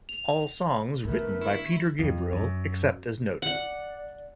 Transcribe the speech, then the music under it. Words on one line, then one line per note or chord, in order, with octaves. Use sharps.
All songs written by Peter Gabriel except as noted.
F7
D3 A3 B3 A#4
E4 C#6
F2
F#2
D5 F#5